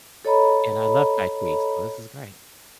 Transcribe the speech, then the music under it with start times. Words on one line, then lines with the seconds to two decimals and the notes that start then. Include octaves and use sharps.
And I love Tai Chi, so this is great.
0.25 A4 C#5 D#5 A#5 B5